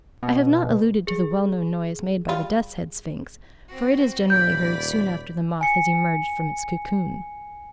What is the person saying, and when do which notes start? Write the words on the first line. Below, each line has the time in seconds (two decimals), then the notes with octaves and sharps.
I have not alluded to the well-known noise made by the Death's Head Sphinx, for it is generally heard soon after the moth has emerged from its cocoon.
0.23 B2
1.07 G#4
2.29 G3 F4
3.69 C4 F#4
4.30 D#1 D5 B5 G6
5.61 G#5 C#7